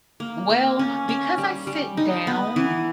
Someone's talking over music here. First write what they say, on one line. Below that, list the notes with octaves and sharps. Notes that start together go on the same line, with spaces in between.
Well, because I sit down
A#3
A#3
C#4
C#4
G3
G3
D#4
B3
E3